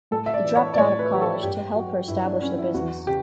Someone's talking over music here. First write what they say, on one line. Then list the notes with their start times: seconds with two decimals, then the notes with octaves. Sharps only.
He dropped out of college to help her establish the business.
0.11 A2 A4
0.26 E5
0.34 D5
0.44 E3
0.55 C#5
0.74 D5
0.78 A2 C#5
0.99 B4
1.10 E3 G4
1.21 A4
1.43 G2 G4
1.76 F#3 F#4
2.08 G2 E4
2.25 D4
2.42 F#3 C#4
2.58 E4
2.74 E2 F#4
3.07 C#3 G4